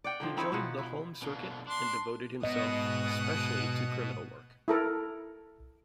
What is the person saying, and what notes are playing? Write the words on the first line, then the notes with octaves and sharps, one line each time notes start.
He joined the home circuit, and devoted himself specially to criminal work.
D5 F#5 G5
D3 D#3 F3
C4 D#4 E4 C#5
B2 F3 F#5
E4
B2 D3 A#3
D4 C6
G#2 B2 D#5 F#5 D#6
E4 A4 A#4